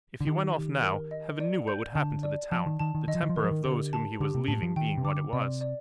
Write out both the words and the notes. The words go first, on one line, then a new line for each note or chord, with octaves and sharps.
If he went off now, Heaven knew what would happen to the town, the temper of those whom he was leaving being what it was.
D3
D#3 G4
G4
A#4
D#5
D5
G6
D3 A5
D5
F3 A5
D#3
D#3 A5
D#3
D#3 D#5
F3
D#3
F3
D#3 A#4
F3
D#3
D3 G4
A5
D3 G4
C3
A2 A5
F3
D#3 G5
C3
D3 D6
C3 D5
D5